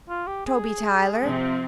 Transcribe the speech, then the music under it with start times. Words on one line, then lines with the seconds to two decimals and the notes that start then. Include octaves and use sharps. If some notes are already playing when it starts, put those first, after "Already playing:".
"Toby Tyler."
0.09 F4
0.27 G4
0.46 G#4
1.20 C3 F3 C4 G#4
1.39 F4